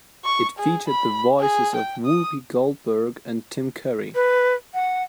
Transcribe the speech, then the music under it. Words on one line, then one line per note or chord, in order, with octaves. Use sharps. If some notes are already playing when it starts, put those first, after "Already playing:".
It featured the voices of Whoopi Goldberg and Tim Curry.
C#6
G#4
B5
G#4
G5
D#6
B4
F#5